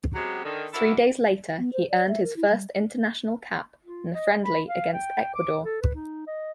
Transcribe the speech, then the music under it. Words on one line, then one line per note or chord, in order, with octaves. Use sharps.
Three days later, he earned his first international cap in a friendly against Ecuador.
C#3 F#3 G#3 B3 C4 G4
D3 D#3
D4 E4 F#4 A4 A#4 E5
B3
C5
D5
E5
A#4
E4
G3
F4
D#5
B5
F5
G5
D6
A4
B4
D#4
D#5